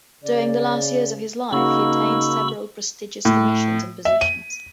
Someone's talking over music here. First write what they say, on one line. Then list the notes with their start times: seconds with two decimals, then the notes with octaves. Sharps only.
During the last years of his life he attained several prestigious commissions and positions.
0.24 C#3 D5
1.52 C#3 A#3 D#4 F#4 B5 C#6 E6
3.25 A2
4.05 E5
4.21 D#7